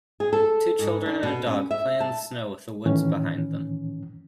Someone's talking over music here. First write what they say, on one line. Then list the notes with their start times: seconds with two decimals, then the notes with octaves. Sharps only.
Two children and a dog play in the snow with a woods behind them.
0.20 G#4
0.33 A4
0.79 G#2
1.06 D4
1.23 B2
1.46 C#4
1.71 E5
2.00 A5
2.86 A2 D#3 E3 C#4